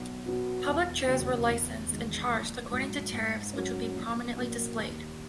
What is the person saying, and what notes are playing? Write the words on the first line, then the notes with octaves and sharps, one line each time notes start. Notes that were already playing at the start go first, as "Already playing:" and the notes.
Public chairs were licensed, and charged according to tariffs which would be prominently displayed.
Already playing: B1
B2 F#3 B3 F#4
E1
D#2 C#3 F#3
E2
D#3 G#3 D#4
A#1
G#2 F#3
G#2
F#3 C#4
A#1
A#2 F#3 A#3
D#2